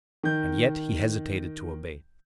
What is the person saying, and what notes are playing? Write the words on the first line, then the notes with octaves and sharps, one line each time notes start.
And yet he hesitated to obey.
D#3 G6